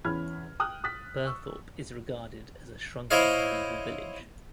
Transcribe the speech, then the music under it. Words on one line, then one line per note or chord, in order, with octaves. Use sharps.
Birthorpe is regarded as a shrunken medieval village.
E2 C#4 E4 B5 F6 G#6
G5 D#6 F6 F#6
D#6 F#6 A6 B6
C#6 E6
E4 C5 C#5 D#5 F5